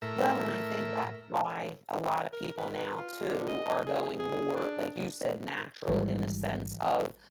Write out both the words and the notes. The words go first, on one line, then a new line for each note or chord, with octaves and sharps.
Well and I think that's why a lot of people now, too, are going more, like you said, natural in the sense of
A2 A#4 E5
A#4
B4
B4
F4
D3
D#5
G#4
G#4
D4
A1 G#2 D#3 E3 G3 G#3